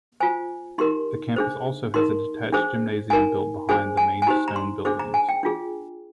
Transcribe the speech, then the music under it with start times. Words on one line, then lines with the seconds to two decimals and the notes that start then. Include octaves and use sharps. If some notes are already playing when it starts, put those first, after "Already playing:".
The campus also has a detached gymnasium built behind the main stone buildings.
0.20 F4 C5 G#5
0.78 D#4 G4 A#4 C6
1.36 D4 G#4 C5
1.94 D#4 A#4 C6
2.52 D4 G#4 C5
3.10 D#4 A#4 G#5
3.69 D4 G#4 C5 G#5
3.97 G#5
4.22 G#5
4.27 D#4 G4 C5 A#5
4.48 A#5
4.56 C6
4.85 D4 G#4 C5 D6
4.99 A#5
5.14 G#5
5.29 G5
5.43 D4 F4 G#4